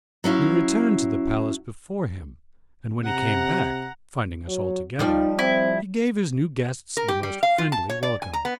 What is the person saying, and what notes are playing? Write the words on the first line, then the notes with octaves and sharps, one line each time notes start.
We returned to the palace before him, and when he came back, finding us all together, he gave his new guests the most friendly welcome.
F#3 C#4 E4 F5
C3 F#5 A#5
F#3
F3 G3 D#4 D5
C4 E4
A#4
G4
G3
F5
F4
A5
C#5
D5
G#5
A#5
B3